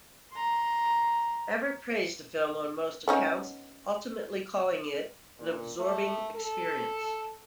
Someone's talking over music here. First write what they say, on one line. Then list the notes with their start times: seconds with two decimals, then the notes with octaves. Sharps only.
Ebert praised the film on most accounts, ultimately calling it "an absorbing experience".
0.32 A#5 C6
3.08 B3 C#4 D#4
5.39 A#2
5.79 A3
6.36 A4